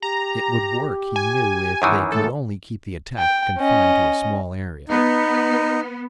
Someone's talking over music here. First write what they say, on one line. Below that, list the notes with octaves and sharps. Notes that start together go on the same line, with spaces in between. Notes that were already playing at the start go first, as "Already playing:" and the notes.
It would work, he knew, if they could only keep the attack confined to a small area.
G4 A#5
G#5
F#2 D#3 E3
A3 A4
G5
C#4 D#5
B3 D#4